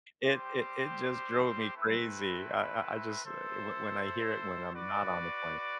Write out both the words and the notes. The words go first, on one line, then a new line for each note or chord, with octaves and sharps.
it it, it just drove me crazy, I I I just when I hear it when I'm not on the plane
G3 C4 G4 C5
A3 C4 E4 B4
E4 A4 C5
F#4 B4 D5